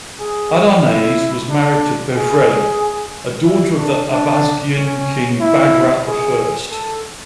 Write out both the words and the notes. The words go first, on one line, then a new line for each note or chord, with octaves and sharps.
Adarnase was married to "Bevreli", a daughter of the Abasgian king Bagrat the First.
G#4
E4
D4
G#4
E4
D4
D4
C#4
E4
G#4
A4